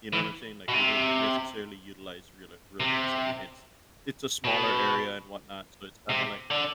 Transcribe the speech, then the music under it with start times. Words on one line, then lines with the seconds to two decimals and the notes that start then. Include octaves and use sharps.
you know what I'm saying, like, we don't necessarily utilize realer realtors, I mean, it's it's a smaller area and whatnot, so it's kinda like
0.13 E3
0.69 B2
0.74 C3
2.80 C3
4.44 B2
6.09 C3
6.51 D3